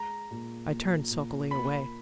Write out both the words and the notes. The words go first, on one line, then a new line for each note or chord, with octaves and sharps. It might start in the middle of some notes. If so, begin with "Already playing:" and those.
I turned sulkily away.
Already playing: G#3 A#5
A#2
A#2
A#2
A#3 B5